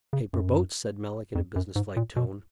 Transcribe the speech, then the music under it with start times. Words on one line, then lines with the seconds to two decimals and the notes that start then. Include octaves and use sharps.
"Paper boats," said Melick, in a business-like tone.
0.13 C#3
0.33 F#2
1.35 F2
1.56 F#2
1.76 G#2
1.97 A#2
2.16 B2